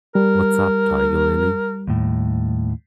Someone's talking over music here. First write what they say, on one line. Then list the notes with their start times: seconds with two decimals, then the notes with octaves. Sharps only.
What's Up, Tiger Lily?
0.15 G3 A#4
1.87 D#2 A2